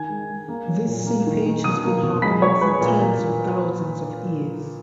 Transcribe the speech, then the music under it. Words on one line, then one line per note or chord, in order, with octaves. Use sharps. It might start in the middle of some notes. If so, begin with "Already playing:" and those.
This seepage has been happening for tens of thousands of years.
Already playing: D#3 G#5 G#6
G#3
G#3
A#3
F#3
A#2
A#3
D#3
D#3
B2 D#6 D#7
A#3
B2
G#3 B5 B6
G#3 C#5 C#6
G#3 B4 B5
A#2
A#3
A#2